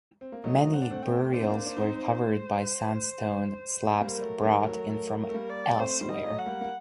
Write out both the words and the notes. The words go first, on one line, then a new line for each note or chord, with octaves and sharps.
Many burials were covered by sandstone slabs brought in from elsewhere.
C4
A#3
F#3 A3 D#5
C4 F#5
D4
A3 C4
A3 C4 G5
D4 C5
C4
A#3 D4
D4
C4 D#4
G3 A#3 A#4
F#3 A3
D#3 G3
F#3 A3
F#3 A3 A#4
A#4
A3
G3 A#3
D5
A3 C4 C5
D#3 G3
D#5
F#3 A3
F#5
G3 A#3
A#3